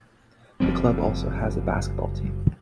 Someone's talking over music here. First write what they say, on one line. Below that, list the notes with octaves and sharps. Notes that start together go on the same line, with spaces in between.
The club also has a basketball team.
F#1 F3 G3 C4